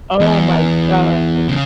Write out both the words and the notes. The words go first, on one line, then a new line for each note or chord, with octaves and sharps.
Oh my God.
E2
C#3